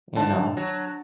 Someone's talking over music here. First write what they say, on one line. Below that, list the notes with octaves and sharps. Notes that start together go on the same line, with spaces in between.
You know?
D3 A5
F#3